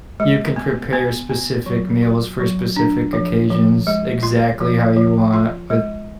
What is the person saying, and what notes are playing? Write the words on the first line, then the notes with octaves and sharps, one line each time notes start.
you can prepare specific meals for specific occasions exactly how you want with
G#3
B3
B3
B3
F#3
F#4
F#3
D4
F3
F3
G#3
F4
F3
F3
F4
G#3